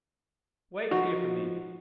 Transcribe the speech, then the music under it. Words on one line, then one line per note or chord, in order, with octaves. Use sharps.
"Wait here for me."
F3 D#4 F#4